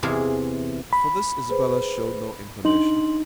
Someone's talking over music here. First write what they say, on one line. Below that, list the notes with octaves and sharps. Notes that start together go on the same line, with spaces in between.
But for this Isabella showed no inclination.
E2 C3 E3 G#4 F5
B5
G#4 B4 C5
D4 D#4 C6 F#7